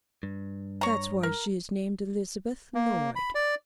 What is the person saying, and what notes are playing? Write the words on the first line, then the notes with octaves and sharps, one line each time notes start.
That's why she is named Elizabeth Lloyd.
G2
C#5 A#5
A#4
A#3
B5
D5